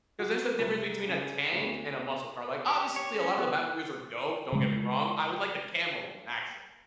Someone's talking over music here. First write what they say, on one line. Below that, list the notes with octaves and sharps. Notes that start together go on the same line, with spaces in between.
'Cause there's a difference between a tank and a muscle car. Like, obviously, a lot of the Batmobiles are dope. Don't get me wrong. I would like the camo one, actually.
F#4
C2
C#3
D2
G4
C#5
C#4
B3
F#6
C#3 G#3